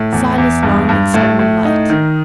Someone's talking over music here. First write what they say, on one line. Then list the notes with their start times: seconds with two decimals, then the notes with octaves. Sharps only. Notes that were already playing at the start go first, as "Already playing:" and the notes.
Silas Long and Solomon Light.
Already playing: A2
0.13 E2
0.38 E2
0.63 G2
0.89 G2
1.14 A2
1.39 A2
1.65 D#4
1.90 D#3